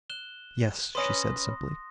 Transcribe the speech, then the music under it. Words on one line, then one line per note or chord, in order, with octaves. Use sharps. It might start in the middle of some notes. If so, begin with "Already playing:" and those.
"Yes," she said simply.
F#6 E7 G7
C#4 B4 C6 D#6 A#6